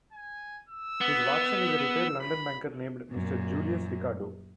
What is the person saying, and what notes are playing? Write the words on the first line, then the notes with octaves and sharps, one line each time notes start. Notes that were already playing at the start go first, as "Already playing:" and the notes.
His "Watson" is a retired London banker named Mr. Julius Ricardo.
G#5
E6
B3
B5
F#2 A#2